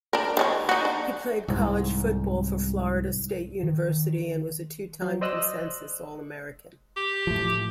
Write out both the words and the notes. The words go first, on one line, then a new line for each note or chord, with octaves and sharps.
He played college football for Florida State University, and was a two-time consensus All-American.
D4 A#4
D#3 D4 C#5
D#4 F#4
D4
C2 G#2
D#3
F#3
C5 D5 D#5 D#6 E6 F#6
G4
A2 F3